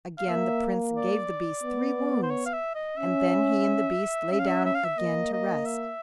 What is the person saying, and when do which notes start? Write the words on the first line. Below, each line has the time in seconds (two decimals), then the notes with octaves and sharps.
Again the Prince gave the beast three wounds, and then he and the beast lay down again to rest.
0.19 F5
0.29 A#3 E5
0.96 D5
1.64 B3
2.23 C5
2.30 C#5
2.46 F5
2.53 E5
2.75 D#5
2.97 C#4 E5
4.32 C#4 E5
4.39 F5
4.46 E5
4.66 E5
4.75 F5
4.84 E5
4.98 A#3 D#5
5.33 D#5
5.66 E5